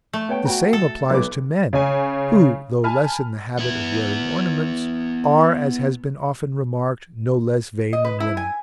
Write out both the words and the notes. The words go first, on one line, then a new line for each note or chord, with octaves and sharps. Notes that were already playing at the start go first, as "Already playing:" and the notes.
The same applies to men who, though less in the habit of wearing ornaments, are, as has been often remarked, no less vain than women.
A3
B3 C#5 G5
F#4 G5 A#5
A4
B1 B4 D6
C#3 C#5 G#5
G#5 A5 B5 F6
B3 E4
D#5
B4
E4
G#5